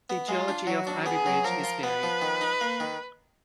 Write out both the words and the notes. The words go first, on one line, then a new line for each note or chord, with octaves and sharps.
The geology of Ivybridge is varied.
B3
G#3 F4
D4
F#3 F#4
D4
B3 G#4
F#3
F3 A#4
F4
B3 B4
F3
D#3
D#4
A#3
D#3